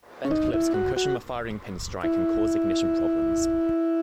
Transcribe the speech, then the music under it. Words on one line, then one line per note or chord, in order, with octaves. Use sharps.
Bent clips can cushion the firing pin strike and cause ignition problems.
C#4
D#4
E4
F#4
F#4
E4